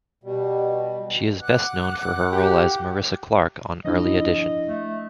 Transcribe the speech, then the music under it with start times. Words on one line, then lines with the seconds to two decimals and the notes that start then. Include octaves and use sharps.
She is best known for her role as Marissa Clark on "Early Edition".
0.24 B2 G3
1.41 F#5 D6 F#6
2.32 G4
3.85 F3 D4 E4 D#5
4.67 A3